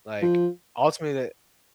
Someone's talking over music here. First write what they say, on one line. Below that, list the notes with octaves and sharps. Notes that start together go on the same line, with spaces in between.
like, ultimately that
F3